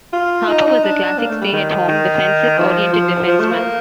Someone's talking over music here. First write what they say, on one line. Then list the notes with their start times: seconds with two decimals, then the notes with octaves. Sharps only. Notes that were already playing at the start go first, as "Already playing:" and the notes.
Harper was a classic stay at home defensive oriented defenceman.
0.13 F4
0.48 D#4
0.65 D#4
0.83 D4
1.18 A#3
1.29 A3
1.41 G3
1.53 D#3
1.88 D#3
2.58 F3
2.93 F3
3.28 F3
3.40 A3
3.51 A#3